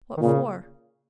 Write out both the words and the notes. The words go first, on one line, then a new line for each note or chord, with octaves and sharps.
What for?
D#3
A#2 C#3